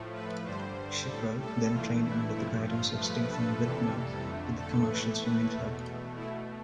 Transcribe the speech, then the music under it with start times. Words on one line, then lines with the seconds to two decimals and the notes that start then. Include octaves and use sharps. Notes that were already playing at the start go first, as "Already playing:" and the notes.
Schipper then trained under the guidance of Stephan Widmer with the Commercial Swimming Club.
Already playing: A2 F3 A3
0.14 B4
0.45 G2 D3 G3 C5
1.09 A2 G3 A4
1.41 A4
1.72 G2 E3 A3 F4
2.04 E4
2.35 G2 F3 A3 E4
2.67 F4
2.99 G2 F3 A3 B4
3.30 A4
3.62 F2 C3 E3 G3 A4
4.26 F2 D3 A3
4.58 A4
4.89 A2 E3 A3 B4
5.21 B4
5.54 E2 B2 A3
6.16 B2 E4
6.21 A3